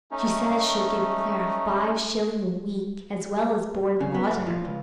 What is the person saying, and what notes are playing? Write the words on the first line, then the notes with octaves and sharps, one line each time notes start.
She says she'll give Clara five shillin' a week, as well as board an' lodge her.
A3 C#4 D#4
C#3
B3
F#2
F3
C#2